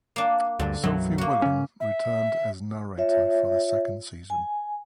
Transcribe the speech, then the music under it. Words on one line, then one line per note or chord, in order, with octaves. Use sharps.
Sophie Willan returned as narrator for the second season.
A#3 D4
D2 G2 D3
B1 F#2 E3 F#3
A#3 F#4
C#3 C#4
E5
F4 C#5 E5
G#5